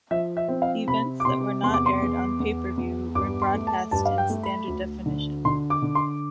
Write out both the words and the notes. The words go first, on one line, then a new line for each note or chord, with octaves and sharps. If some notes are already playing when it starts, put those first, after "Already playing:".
Events that were not aired on pay-per-view were broadcast in standard definition.
F3 E5
E5
C4
F5
C3 B5
D6
C3 C6
E2 C6
D6
C6
E2
E2
E2
G2 D6
C6
A3
A5
G2 A5
F5
G5
A3
B5
D2
D3
D3 C6
D6
D3
C6